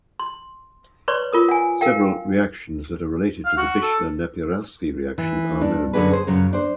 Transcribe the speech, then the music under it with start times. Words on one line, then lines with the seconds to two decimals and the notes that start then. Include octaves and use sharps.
Several reactions that are related to the Bischler-Napieralski reaction are known.
0.20 C6
1.08 B4 C#5 D5 C6 C#6
1.33 F4 A#4 D#6
1.49 F#5 G#5
1.81 A#4 F5 G5
3.45 F5
3.57 F#4
3.83 A4
5.18 E3
5.61 G2 D4
5.93 F#2 D3 F#3 D4 G#4 B4
6.11 G#4 C5
6.27 F#2 C#3 F#3
6.53 D4 C5